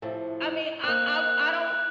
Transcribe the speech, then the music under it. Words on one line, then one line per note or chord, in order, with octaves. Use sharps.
I mean, I I w I don't
A2 C3 F3
A#3 C4 F#6